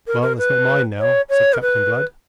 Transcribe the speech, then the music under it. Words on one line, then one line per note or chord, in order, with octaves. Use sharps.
"Well, it's not mine, now," said Captain Blood.
A#4
A#4
B4
C#5
C#5
A#4
B4